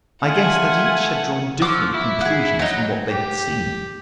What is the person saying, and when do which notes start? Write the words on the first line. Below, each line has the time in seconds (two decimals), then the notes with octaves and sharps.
I guessed that each had drawn different conclusions from what they had seen.
0.23 A3 F4 F#5 G#5
1.62 F3 F#4 D6 E6
1.94 E4
2.21 G#4 F#5
2.59 F#3 D#4 F#5
3.09 G4